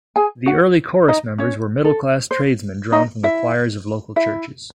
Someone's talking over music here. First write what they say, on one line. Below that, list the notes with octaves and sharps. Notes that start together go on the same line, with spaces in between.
The early chorus members were middle-class tradesmen drawn from the choirs of local churches.
G#4 G#5
F#4 F#5
D#4 D#5
C#4 C#5
A4
C5
D#4 D#5
E4 E5
E4 E5